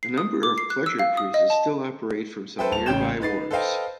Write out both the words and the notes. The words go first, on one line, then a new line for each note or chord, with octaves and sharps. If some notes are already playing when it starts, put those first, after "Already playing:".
A number of pleasure cruises still operate from some nearby wharves.
C7
D#6
D6
C7
F#6
E6
F5
D#6
D#5
A5
A4 B4 C5 E5 G5
D#1 A5 F7
A1 C#3 C#4 G5 G6 E7
D#4 B4 A6 C7
A4 B4 C5 D#5 F5 G5